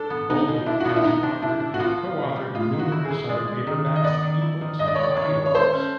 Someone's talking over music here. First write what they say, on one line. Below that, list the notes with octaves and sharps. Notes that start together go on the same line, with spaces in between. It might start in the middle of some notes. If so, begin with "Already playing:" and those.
Bolick has authored and co-authored numerous other paperbacks, ebooks and audiobooks.
Already playing: G3 D4 A4
B3
B3 D#4
B2
D4 E4
F#4
B3 F4
E4
B3 D#4
D4
D4 E4
D4
F#4
B3 F4
B3
B2
G3
G#3 F4
D#3
F#4
E4
G#4
E4
G#3 D5
G#3
D#3
D#3
D#5
B3 D5
D#3
E4
D#3
G#3 D#5
D5
B3 C#5
D5
D#3 C#5
G#3
C#5
A3 C5
C#4